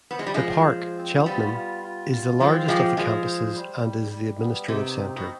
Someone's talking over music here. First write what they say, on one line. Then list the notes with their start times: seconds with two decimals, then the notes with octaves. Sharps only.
The Park, Cheltenham, is the largest of the campuses and is the administrative centre.
0.11 B3 C5
0.19 G#3
0.27 G3
0.34 F3 G#3
0.40 C5
0.69 C5
0.97 C4
1.26 G3 B3 F4
1.54 F4
1.83 F4
2.11 F4
2.40 F3 G#3 C4
2.68 F3 G#3 G4
2.97 F3 G#3 G#4
3.26 C5
3.55 G3
3.83 G3
4.12 G3
4.40 B3
4.68 C3 D#4
4.97 C4
5.17 B2